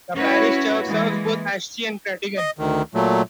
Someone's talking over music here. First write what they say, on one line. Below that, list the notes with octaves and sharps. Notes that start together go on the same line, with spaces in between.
The parish church serves both Aeschi and Krattigen.
C#4 E4 F#4 B4 C#5
E3 G#3 A#3
D#5
D2 D#3
A#2 F#3 A3